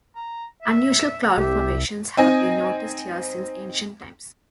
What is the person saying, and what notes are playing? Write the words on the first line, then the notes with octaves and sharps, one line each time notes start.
Unusual cloud formations have been noticed here since ancient times.
A#5
E5
C2 G4 E5
C4 D#4 D#5 G#5